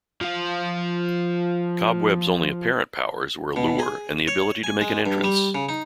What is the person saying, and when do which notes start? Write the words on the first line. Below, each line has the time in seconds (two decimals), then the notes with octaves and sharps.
Cobweb's only apparent powers were allure and the ability to make an entrance.
0.21 F3 F4
3.56 B2
3.79 G#4
4.28 C#5
4.64 G#5
4.81 G#3
5.06 G2
5.24 G3
5.55 C#3
5.69 D#4